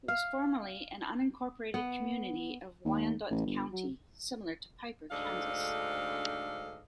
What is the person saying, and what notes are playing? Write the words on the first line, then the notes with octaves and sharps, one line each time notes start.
It was formerly an unincorporated community of Wyandotte County, similar to Piper, Kansas.
F5
B3
D#2
A1
G1
F#3
D2 G#2 D4 A4 D#5 F5